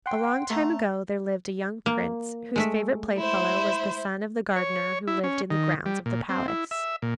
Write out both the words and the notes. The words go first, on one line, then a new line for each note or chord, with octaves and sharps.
A long time ago there lived a young prince whose favourite playfellow was the son of the gardener who lived in the grounds of the palace.
F#5 G5 C6
A3 A#5
A#3
G#3 A3 E5
E4 C5
C#5
E4
C#4
D#3
G3
A#2
C4
E4
E5
A#2